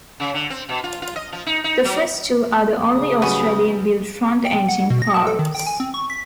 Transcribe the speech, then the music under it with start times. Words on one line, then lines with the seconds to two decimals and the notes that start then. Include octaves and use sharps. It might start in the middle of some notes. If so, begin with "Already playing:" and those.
The first two are the only Australian-built front engine cars.
0.20 C#3
0.34 D3
0.50 C4
0.69 B2
0.84 F4
1.02 F4
1.16 D#5
1.33 F3
1.46 D#4
1.64 D#4
1.85 F#3
2.92 C#3 D#6
3.22 F#3 G3 B3 C#4
4.45 G5
4.68 F#5
4.90 B2
5.02 A#6
5.14 A5
5.27 A4
5.39 D#3
5.55 G5
5.66 G#5
5.80 C4
5.94 C#6
6.10 B6